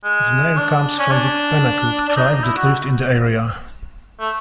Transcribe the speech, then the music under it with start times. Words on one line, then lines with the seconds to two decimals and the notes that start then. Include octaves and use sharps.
The name comes from the Pennacook tribe that lived in the area.
0.04 G#3
0.58 D4
0.99 C#4
1.11 D4
2.09 D4
2.17 D#4
2.30 D#4
2.44 E4
2.57 F#4
4.20 A3